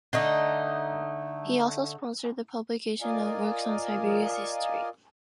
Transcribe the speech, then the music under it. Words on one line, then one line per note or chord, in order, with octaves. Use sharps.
He also sponsored the publication of works on Siberia's history.
D3 A3 D#4
F4 A#4 D5 D#5 F5 G#5